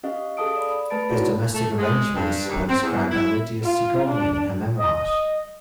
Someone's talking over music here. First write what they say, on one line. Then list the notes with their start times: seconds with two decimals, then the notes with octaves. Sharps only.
His domestic arrangements were described by Lydia Sigourney in her memoirs.
0.03 C#4 G4 D#5 F5
0.37 G#4 A4 F5 A5 D#6 D7
0.56 D5 B5
0.90 A3 B4 A5 B5 A6 D7
1.09 D#4 E4 F#4 G#4 C#5 D5
1.54 A3
1.77 G#3
2.14 G2
2.48 D#2
2.69 C4
2.82 E2
3.11 E4
3.62 F4
4.08 D4
4.78 D#5